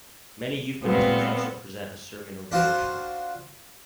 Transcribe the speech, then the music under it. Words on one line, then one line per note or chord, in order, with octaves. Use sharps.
Many youth ministers also present a sermon or devotional.
A#2 F#3 G#3 B3 C4 B4
D4 F4 F#4 C5